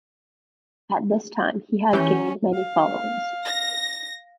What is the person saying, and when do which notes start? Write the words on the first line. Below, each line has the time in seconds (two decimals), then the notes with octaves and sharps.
At this time he had gained many followers.
1.93 E3 C#4 G4 G6
2.53 F5
3.45 A#6